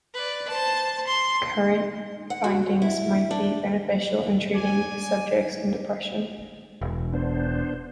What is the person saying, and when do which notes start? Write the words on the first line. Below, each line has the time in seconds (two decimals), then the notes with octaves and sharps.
Current findings might be beneficial in treating subjects in depression.
0.14 B4 D5
0.49 C5 A5
1.07 C6
2.30 F#5
2.44 F#4
2.82 E4
3.31 D4
4.55 D5 G#5
6.81 E1
7.13 B3 D4 C5